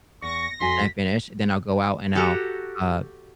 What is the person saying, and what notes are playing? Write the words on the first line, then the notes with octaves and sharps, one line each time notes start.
and I finish, then I'll go out and I'll, uh,
E2 C#6 A#6 C#7
F2 F#4 G#5 C6 B6
F#4 G4 A4 A#5